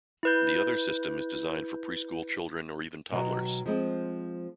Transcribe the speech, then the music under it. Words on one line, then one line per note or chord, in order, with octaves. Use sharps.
The other system is designed for preschool children or even toddlers.
E4 B4 G6
B2 D#3 F3 F#3
F3 G#3 C4